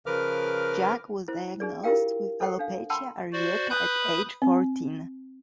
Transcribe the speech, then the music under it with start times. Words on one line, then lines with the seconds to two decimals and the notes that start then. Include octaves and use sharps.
Jack was diagnosed with Alopecia areata at age fourteen.
0.06 C#3 F3 A#4 B4 D6 F6
1.28 E4 C5
1.60 D4 G#4 D5
1.84 E4 F4 G4 A#4 F5 G5
2.41 A4 C5 F#5 G5
2.59 D4 F5
2.90 F#5 G5 A5 B5 C6 E6
3.33 F#4 C5 D5
3.70 B4 B5 D#6 F#6 G6
4.42 C4